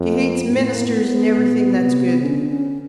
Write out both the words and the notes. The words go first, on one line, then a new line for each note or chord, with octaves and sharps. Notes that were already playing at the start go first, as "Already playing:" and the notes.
She hates ministers and everything that's good.
Already playing: F2
A#3
B3
A2 C4
B3
A#3
B3
A#2
C3
D3 C#4
C#4